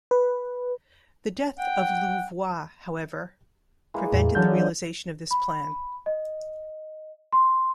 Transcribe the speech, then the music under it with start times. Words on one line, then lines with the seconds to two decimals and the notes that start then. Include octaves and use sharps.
The death of Louvois, however, prevented the realization of this plan.
0.11 B4
1.59 F#5 G5
3.94 E3 G#3 A#3
4.13 E2 A2
4.35 D3 E3 F#3 C#4 D4 G6
5.31 B5
6.06 D#5
7.33 C6